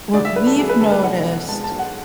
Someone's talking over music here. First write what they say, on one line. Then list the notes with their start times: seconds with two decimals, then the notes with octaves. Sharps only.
what we've noticed
0.13 D2 D5
0.25 E5
0.36 D3 B4
0.47 A4
0.58 F#3 G#4
0.69 B4
0.81 D2 A4
0.92 B4
1.03 B1 F#5
1.26 B2
1.48 G#3 A5
1.64 A5
1.71 B1
1.79 F#5